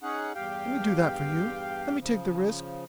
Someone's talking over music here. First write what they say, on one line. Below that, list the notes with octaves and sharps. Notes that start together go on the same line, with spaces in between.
Let me do that for you--let me take the risk.
C#4 D#4 G#4 F#5
E2 G2 G4 F5 G5
C#3 F3